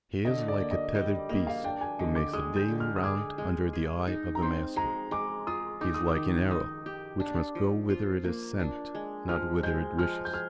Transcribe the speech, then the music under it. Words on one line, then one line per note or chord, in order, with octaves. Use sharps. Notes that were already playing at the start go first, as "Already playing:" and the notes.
He is like a tethered beast who makes a daily round under the eye of a master; he is like an arrow, which must go whither it is sent, not whither it wishes.
D3 D#5
D5
A#3
D#5
G3 D#5
A#3 D#5
F5
D4 G5
G#5
D3 D#5
D6
G#3 D#6
G6
D3
F6
D#6
G#4 D6
G#3
G#4
D#4
A#5
C4 C6
G#3 A#5
G#3 D6
F4 D#6
D#4 D6
D#6
D6
D#3
D#4 D#6
G4
D4
F3
F4
A#3
D4
G#3
F3 F6
G#3 G6
F3 F6
G6
G#4 F6